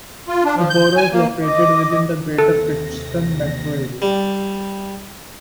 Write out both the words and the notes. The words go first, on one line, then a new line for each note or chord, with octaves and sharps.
The borough is located within the Greater Pittston metro area.
F4
D4
F3
G6
G#5
A#3
D#5 D6
D#2 C3 A4 A#6
G3